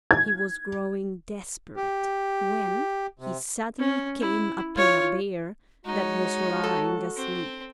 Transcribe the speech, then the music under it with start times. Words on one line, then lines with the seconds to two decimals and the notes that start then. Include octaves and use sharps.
He was growing desperate, when he suddenly came upon a bear that was lying asleep.
0.11 G#6
1.76 G4
3.19 C3
3.79 C#4
4.21 E4
4.75 F4 C#5
5.85 G#3 D#4 F#4 C#5
6.64 A4
7.16 C4